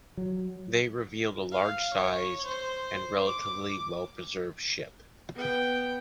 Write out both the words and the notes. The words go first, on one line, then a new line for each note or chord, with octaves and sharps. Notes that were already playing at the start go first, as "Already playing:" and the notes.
They revealed a large-sized and relatively well-preserved ship.
F#3
F5
C#5
C5
D6
B3 G5